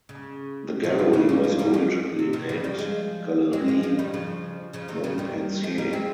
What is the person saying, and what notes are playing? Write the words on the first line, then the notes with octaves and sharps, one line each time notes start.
The gallery was originally named "Galerie Montpensier".
C#3
C3 D#3
C#3 F3
C#3 F3
G3 A#3
F3 G#3
G3 A#3
F3 G#3
C3
C3 D#3
C#3 F3
D#3 G3
F3 G#3
G#3 C4
F3 G#3
F3 G#3
D#3 G3
C#3 F3
C#3 F3
C3 D#3
C#3 F3
D#3 G3
F3 G#3
G3 A#3
G#3 C4